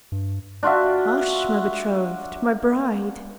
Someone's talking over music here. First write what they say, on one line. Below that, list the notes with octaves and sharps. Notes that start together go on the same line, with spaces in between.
'Hush, my betrothed! my bride!
G2
D4 F4 F#4 E5